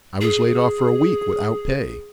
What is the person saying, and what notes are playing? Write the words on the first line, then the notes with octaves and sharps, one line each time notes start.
I was laid off for a week, without pay.
G#4